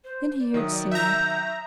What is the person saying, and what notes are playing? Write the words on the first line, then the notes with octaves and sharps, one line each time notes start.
Then he heard singing.
C5
D5
D#3 F#3 E5 D#6
D5
E5 A#5 G6